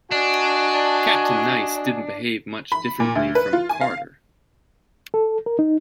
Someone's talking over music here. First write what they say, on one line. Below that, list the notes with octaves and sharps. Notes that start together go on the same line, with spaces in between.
Captain Nice didn't behave much differently from Carter.
D4 F#4 D#5 G#5
B5
A#2
D2
B4
F4
G#5
F5
A4
A#4
D#4